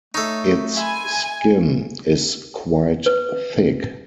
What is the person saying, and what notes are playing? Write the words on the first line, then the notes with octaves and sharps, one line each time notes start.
Its skin is quite thick.
A3 D#4 A4 C#5 E5
E5 G#5 B5 C6
B4